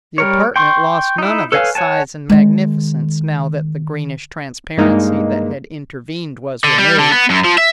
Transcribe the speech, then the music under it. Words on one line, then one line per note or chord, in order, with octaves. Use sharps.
The apartment lost none of its size and magnificence now that the greenish transparency that had intervened was removed.
G3 A#4 C#5
G5 C6 C#6
D#4 E4
A4 B4 C#5 F5 G#5
C#5 F#5 G#5 A5
D#3 G#3
G2 G#3 A#3 D#4
D3
G3
D3
B3
F#2
F3
E5